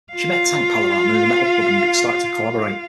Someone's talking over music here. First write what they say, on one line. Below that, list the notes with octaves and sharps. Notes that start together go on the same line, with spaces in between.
She met Tank Palamara in a metal club and they started to collaborate.
F4 F5